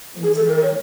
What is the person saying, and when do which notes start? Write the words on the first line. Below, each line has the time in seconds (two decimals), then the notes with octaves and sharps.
it was not.
0.23 G#4
0.36 A4
0.49 A#4
0.62 C#5